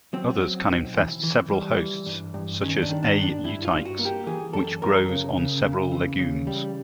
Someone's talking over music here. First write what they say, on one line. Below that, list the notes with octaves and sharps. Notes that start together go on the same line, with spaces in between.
Others can infest several hosts, such as "A. euteiches", which grows on several legumes.
F#3 C4
F#3
B1
E3
E3
G3
E3
G2
G2
D#3 C#4
D4
D#3
D4
G2
D4
G2 E4
F4
G2
F#4
A#3
G4
E3 G#4
F#2 A4
F#2 A#4
C#3
C#3
C#3
E3
C#3
G3